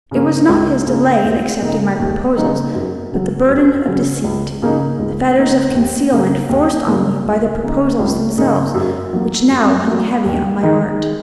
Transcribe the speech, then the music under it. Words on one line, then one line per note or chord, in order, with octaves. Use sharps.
It was not his delay in accepting my proposals, but the burden of deceit, the fetters of concealment forced on me by the proposals themselves, which now hung heavy on my heart.
C#3 A#3
C#2
C#3 A#3
D#2
C#3 A#3 D#4
D#2
C#3 A#3 D#4
F#2
C#3 F#3 C#4
F#2
C#3 F#3 C#4
C#2
C#3 A#3 D#4
C#2
C#3 A#3 D#4
D#2
C#3 A#3
D#2
C#3 A#3
C#2
C#3 A#3 D#4
C#2
C#3 A#3 D#4
F#2
F#3 A#3
F#2
F#3 A#3
D#2
D#3 G#3 D#4